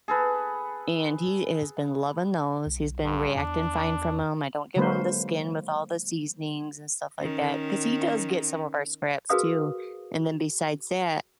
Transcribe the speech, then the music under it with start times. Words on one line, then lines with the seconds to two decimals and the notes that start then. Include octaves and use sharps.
And he is been loving those. He's been reacting fine from ‘em. I don't give him the skin with all the seasonings and stuff like that ‘cause he does get some of our scraps too. And then besides that,
0.08 G#4 A4 B4
2.67 B1
3.05 G2
3.35 E2 D4
4.76 D3 F#3 G#3 A#3 B4 C5
7.19 D#3 C#4
9.30 F#4 G#4 A#4 B4 F5 D#6